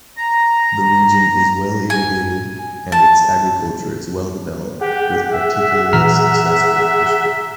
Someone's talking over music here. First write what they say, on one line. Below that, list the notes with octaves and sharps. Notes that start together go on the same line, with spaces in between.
The region is well-irrigated and its agriculture is well-developed, with particularly successful fishing.
A#5
G#5
A5
G4 G#4 F#5
E5
A#2 E3 A#5 F6 B6